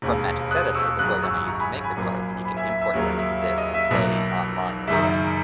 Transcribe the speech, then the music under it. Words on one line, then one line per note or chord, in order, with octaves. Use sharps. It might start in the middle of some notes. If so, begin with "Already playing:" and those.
from Magic's Editor, the program I used to make the cards, and you can import them into this and play online with friends.
E1 D#2 C#3
D#6 F#6
C#6 E6
G#1 F#2 C#3 F#3 D#6 F#6
C#6 E6
A#5 C#6
G#5 B5
G#5 B5
A#1 A#2 F#3 A#3
G#5 B5
E5 G#5
E5
E5
D#2 C#3 F#3 A#3
E5
E5
D#5
E5
B1 B2 F#3 A#3 E5
F#1 F#2 D#3 E5